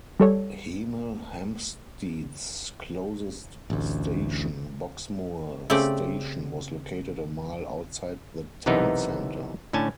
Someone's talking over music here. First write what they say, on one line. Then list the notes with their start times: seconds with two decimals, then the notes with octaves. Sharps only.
Hemel Hempstead's closest station, Boxmoor station, was located a mile outside the town centre.
0.20 G3 A4 C#5
3.70 A1 D2
5.70 C#3 A3 C4 G4 D5
8.66 B1 C3 E3 B3 D#4 A#4
9.73 A2 D3 C#4 G#5 A5